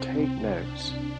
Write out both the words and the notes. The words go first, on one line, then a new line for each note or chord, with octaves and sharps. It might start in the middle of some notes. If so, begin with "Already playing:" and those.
Take notes.
Already playing: C2 C3 C4
C2
C2 D4
C2
C2